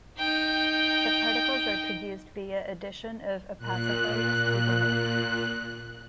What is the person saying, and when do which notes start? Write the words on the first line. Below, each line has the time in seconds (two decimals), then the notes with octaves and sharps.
The particles are produced via addition of opacifiers to the melt.
0.18 D#4 G5
3.58 A#2 F#6